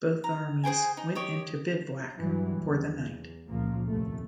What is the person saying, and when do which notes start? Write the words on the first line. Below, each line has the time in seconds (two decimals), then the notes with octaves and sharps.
Both armies went into bivouac for the night.
0.24 A#5
0.64 G#4 C5 G5 G#5
0.97 D#4
1.15 G4 C#5 D#5
2.17 G2 E3 F#3 G3
2.57 E2
3.46 C#2 A#2 F3 A#3
3.87 F1 D#2 A3